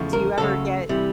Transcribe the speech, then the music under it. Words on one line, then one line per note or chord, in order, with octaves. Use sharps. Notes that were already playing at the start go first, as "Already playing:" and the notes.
Do you ever get,
Already playing: E2 C#3 F3 A3
A#4
C#2 C#3 F#3 A3 A4
C3 E3 G3